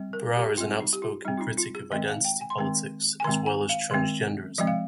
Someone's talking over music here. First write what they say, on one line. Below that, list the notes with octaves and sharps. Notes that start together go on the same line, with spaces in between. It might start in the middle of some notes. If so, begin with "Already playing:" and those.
Brar is an outspoken critic of identity politics as well as "transgenderism".
Already playing: G3 C4
A#4
G4
G3 C4 F4
D#4
G4
F4
G3 C4 D#4
F4
D#4
F4
G#4
D#3 G#3 C4 D#5
F5
G5
G#5
C6
D#3 G#3 C4 A#5
G#5
D#3 G#3 C4 A#5
G#5
F5
D#3 G#3 C4
F3 G#3 C4 D#5
F5